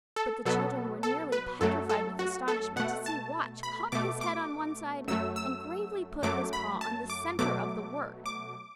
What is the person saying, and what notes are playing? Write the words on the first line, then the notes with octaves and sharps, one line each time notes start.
But the children were nearly petrified with astonishment to see Watch cock his head on one side and gravely put his paw on the center of the word!
A4
B2 F#3 B3 A4
A4
B4
F#2 F#3 A3 A4
A4
F#4
A4
B2 A3 F#5
A5
B5
B2 A3 D6
D6
F#2 F#3 A3 E6
E6
F#2 F#3 A3 D6
B5
A5
D6
B2 F#3 A3 D6
D6